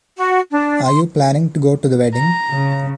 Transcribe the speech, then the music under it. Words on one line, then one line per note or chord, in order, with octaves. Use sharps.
Are you planning to go to the wedding?
F#4
D4
C6
A#5
C#3